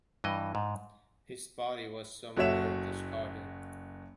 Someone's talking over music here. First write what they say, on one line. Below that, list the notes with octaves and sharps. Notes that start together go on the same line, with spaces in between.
His body was somewhere discarded.
G2 E3 D#5
G#2
F#1 F#4 A4 C#5 E5 E7